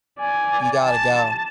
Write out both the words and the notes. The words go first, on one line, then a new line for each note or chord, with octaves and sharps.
You gotta go.
D5 G#5
A5